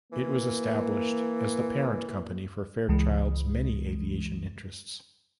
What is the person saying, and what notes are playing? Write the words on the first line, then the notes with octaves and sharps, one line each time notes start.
It was established as the parent company for Fairchild's many aviation interests.
E3 A#3
C#2 E3 G#3